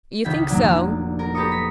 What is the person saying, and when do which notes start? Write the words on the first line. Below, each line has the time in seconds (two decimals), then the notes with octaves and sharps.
"You think so?"
0.24 C#2 D#3 G5 B6
0.48 F1 A#2 F#3 D4
1.19 A#4
1.34 G4 A4 B4 A#5 C#6 D#6
1.52 B6